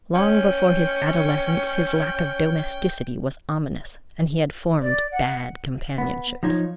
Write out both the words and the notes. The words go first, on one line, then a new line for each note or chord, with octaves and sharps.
Long before his adolescence, his lack of domesticity was ominous, and he had formed bad companionships.
C#4 G5
D5
F#5
B3
F3 D#4 C#5